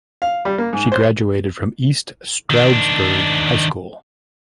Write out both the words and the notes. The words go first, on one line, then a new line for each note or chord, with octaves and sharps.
She graduated from East Stroudsburg High School.
F5
G3
A#3
G#2
C5
D#3 D4